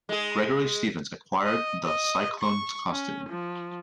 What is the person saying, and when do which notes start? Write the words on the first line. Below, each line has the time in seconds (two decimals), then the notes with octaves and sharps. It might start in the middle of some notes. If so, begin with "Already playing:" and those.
Gregory Stevens acquired the Cyclone costume.
0.09 G#3 G#4
1.44 D#5
1.85 D#5
2.40 C#6
2.92 C#4
3.29 F3